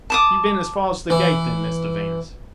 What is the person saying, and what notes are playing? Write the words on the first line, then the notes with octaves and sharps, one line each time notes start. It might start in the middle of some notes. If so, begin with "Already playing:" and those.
'You've been as far as the gate then, Mr Venus?'
A5 D6 D#6
E3